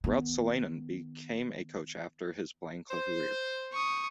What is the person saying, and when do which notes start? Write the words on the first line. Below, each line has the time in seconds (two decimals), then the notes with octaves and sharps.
Ruotsalainen became a coach after his playing career.
0.04 D#3 B3
2.90 C5
3.73 C#6 D#6